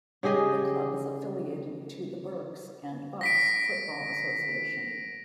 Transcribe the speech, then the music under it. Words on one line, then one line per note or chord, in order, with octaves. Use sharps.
The club is affiliated to the Berks and Bucks Football Association.
C#3 G4 G#4 D#5
A#6 B6 D7